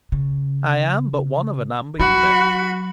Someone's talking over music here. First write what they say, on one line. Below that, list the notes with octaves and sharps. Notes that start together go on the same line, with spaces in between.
I am but one of a number, you know.
C#3
F#3 F#4 B5